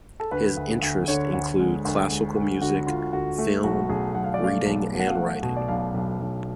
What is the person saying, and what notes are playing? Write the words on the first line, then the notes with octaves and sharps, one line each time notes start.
His interests include classical music, film, reading and writing.
A4
D2 B4
D2
D2
D3 C#5
D2
G#3
D2
G#3
D2
D3 F#4
D3 F4
D2 F#4
A3
B1 F#4
B1 G#4
B1 F#5
F5
D5
A3 F5
B1
B2
F#5
F5
A3 F#5
B2
D5
B1 F5
B1
B1